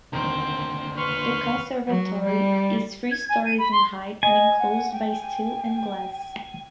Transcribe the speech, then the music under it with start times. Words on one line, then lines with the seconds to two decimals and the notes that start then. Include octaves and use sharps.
The conservatory is three stories in height and enclosed by steel and glass.
0.13 D#1 D#2 D3 D#3 C4 A#5
0.97 B4 C6 C#6 F6
1.87 F#3
2.25 G3
3.12 G#6
3.30 G#5
3.46 D#7
3.59 B5
3.72 C6
4.23 D#5 G#5
4.59 F#5
4.92 G5
5.22 G5